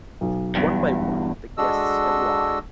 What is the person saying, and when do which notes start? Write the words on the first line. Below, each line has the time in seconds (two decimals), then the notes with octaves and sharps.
One by one, the guests arrive.
0.21 B1
0.55 E2 G2
1.57 G#3 D4 F#4 A4 D#5 E6